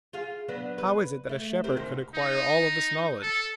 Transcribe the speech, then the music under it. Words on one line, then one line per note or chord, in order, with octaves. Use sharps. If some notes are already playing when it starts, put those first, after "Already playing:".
How is it that a shepherd could acquire all of this knowledge?
F4 G#4 F5
F#3 B3 D4
B4
A3
C4 G4 A#4
G#2 C3 D#3
D#4
A4